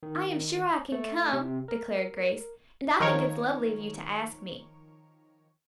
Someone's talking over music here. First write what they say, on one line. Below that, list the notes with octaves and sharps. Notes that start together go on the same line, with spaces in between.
"I am sure I can come," declared Grace, "and I think it's lovely of you to ask me."
D#3
A3
C3
A#4
D#3 F3 A#4 C#5